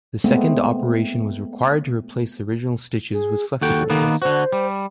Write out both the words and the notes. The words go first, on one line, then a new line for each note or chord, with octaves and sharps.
The second operation was required to replace the original stitches with flexible ones.
G#3 A3 B3 C4
G#4
D#2 F#4 A4 G5
D#3 A#3 B3
D3 F#4 C5
G3